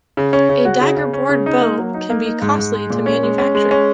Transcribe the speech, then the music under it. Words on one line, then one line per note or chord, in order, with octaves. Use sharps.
A daggerboard boat can be costly to manufacture.
C#3
C#4
C#3
F#4
C#3
C#3
C#4
C#3
D#4
A#3
F#3
D#4
A#3
D#4
G#2
G#2
G#3
A#2
C#4
G#3
C#4
G#3
C#4